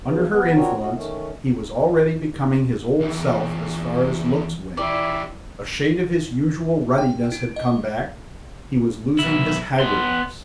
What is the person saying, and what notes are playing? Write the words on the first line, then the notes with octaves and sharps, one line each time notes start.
Under her influence he was already becoming his old self as far as looks went. A shade of his usual ruddiness had come back; he was losing his haggardness.
E2 G#2 C#3 E3 F3
B3
C4 D4 F4 F#4 A#4 C#5
A3 C#4 F#4 D#5
D#3 A3 C#4
F2 E3
C#4 E4 G4 D5
G5
E4
D#5
B1 E4
B3 C6